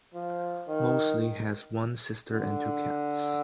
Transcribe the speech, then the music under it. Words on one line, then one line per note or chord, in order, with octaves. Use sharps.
Mosley has one sister and two cats.
F3
D#3
D3